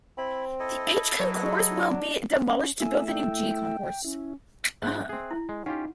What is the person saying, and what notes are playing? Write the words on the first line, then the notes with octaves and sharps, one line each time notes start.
The H concourse will be demolished to build the new "G" concourse.
C4 E4 B5
E4 A4 D#5
F#3
G#3
D4
C#4
A3 E4 E5 G#5
G5
C#4 E4
G#2 D#5 E5 F#6
C4 G#4
E4
G#3
C#4 D#4 F4 G4 F#5